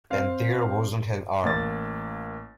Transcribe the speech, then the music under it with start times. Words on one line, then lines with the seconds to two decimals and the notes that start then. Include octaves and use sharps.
And there wasn't an arm!
0.10 C4 C5 F5
1.43 A1 A#3 A6